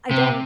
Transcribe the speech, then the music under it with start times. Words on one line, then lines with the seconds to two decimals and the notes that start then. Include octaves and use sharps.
I don't
0.11 C3